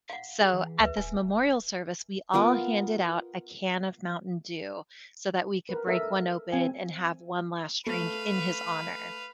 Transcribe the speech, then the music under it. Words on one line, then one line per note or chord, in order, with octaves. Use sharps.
So at this memorial service, we all handed out a can of Mountain Dew, so that we could break one open and have one last drink in his honor.
F5 F#5
G#4
E3
D2 B4 E5
D1 G#5
B3 F4 A#4 D#5
A#4 B4
A4 A#4 D#5 E5
C4 G#5
A3 B4 F5